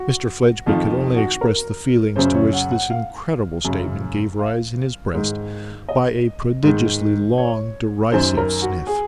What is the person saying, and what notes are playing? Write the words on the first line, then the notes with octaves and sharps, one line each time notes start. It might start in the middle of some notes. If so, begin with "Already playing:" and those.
Mr Fledgeby could only express the feelings to which this incredible statement gave rise in his breast, by a prodigiously long derisive sniff.
Already playing: F#4
F2 D#3 F4
F#4
A#4
F#2 C#3 C5
C#5
F#5
F#5
F5
F#2 C#3
F5
G#2 D#3
D#5
G#2 D#3
C#5
F#2 D#3 C5
A#4
F#4
G#4